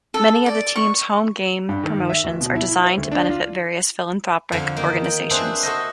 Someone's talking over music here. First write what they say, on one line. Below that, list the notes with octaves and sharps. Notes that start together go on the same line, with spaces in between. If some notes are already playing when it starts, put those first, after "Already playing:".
Many of the team's home game promotions are designed to benefit various philanthropic organizations.
A4
D5
C#6
G2
D#3
E5
D1
B2
E4
E4
C5
D2
D4
F4
F2 D3 F3
D#3 A#3
G5
C4 D4 E4 G#4 B4 C5
F#4 A4 C5 D#5